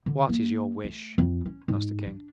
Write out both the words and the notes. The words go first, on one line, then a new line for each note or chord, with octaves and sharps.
'What is your wish?' asked the King.
D3
A#3
A3
F2
C#4
G#2
D4